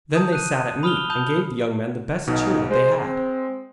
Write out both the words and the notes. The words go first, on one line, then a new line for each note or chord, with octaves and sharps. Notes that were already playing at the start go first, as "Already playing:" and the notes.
Then they sat at meat, and gave the young man the best cheer that they had.
A5 D#6 G6
F#6 D#7
B5 D#6 F6 F7 G7
A5 B5 D#6 G6 F7
B1 B2 D#4
G#3 C5
C4